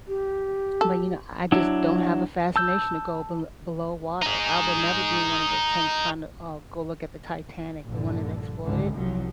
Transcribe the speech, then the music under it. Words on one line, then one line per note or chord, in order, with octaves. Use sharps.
But, you know, I just don't have a fascination to go bel below water. I would never be in one of those tanks trying to, uh, go look at the Titanic- the one that exploded.
G4
A4
F#3 D4 E4
A5 E6 G6
D#4 G#4
A#1 G2 D3
G#1 C#2 D3
C2 F3 F#3